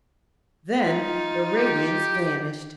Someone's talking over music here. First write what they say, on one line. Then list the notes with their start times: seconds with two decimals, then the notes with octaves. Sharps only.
Then the radiance vanished.
0.81 D#4 F4
1.56 G4